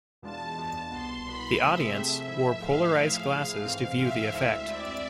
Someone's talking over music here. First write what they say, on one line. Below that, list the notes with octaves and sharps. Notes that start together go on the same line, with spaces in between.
The audience wore polarized glasses to view the effect.
E2 B2 G#3 D4 F4 A5
E2 B2 G#3 D4 F4
C2 B2 B3 C6
C2 B2 B3 B5
C3 F3 A3 C4 G#4 E5
C3 F3 A3 C4 G#4
G#2 F3 A3 E4
G#2 F3 A3 E4 F5
A2 F3 A3 E4 G#4
A2 F3 A3 E4 G#4
G#2 E3 G#3 C4 F5
G#2 E3 G#3 C4 E5
D2 D3 G#3 C4 E4
D2 D3 G#3 C4 E4 D5